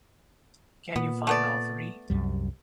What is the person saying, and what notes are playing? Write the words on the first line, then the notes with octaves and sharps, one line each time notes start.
Can you find all three?
A#2 B3
A3 B3 D5
C2 F#2 G3